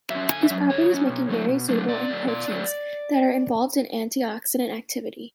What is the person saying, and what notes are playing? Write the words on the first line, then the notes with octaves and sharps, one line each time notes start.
These properties make it very suitable in proteins that are involved in antioxidant activity.
F#3 C#4 E5
D3 G#5
E5
F#3 C#4
D3 C#5
F#3 C#4
B2
F#3 A3 D4
B2
F#3 A3 D4
B2 D5
F#3 A3 D4
B2 D5
F#3 A3 D4